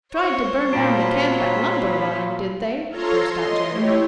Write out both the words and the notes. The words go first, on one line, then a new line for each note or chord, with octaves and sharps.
"Tried to burn down the camp at Lumber Run, did they?" burst out Jerry.
C5 C#5 C#6
A#2 F#3 D4 F4 B5
B5
F4 A4 C#5 A#5 C6
D#5 C6
A3 E4 G4 C#5